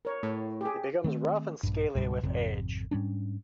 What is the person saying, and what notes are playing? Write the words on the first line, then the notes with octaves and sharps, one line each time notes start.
It becomes rough and scaly with age.
A#4 C#5
A2
G4 G#4
D#3 A3 C4
A#1 G2
C#2 G#2 B2 G3
G#1 F2 C3
G#2 G3 C#4 D4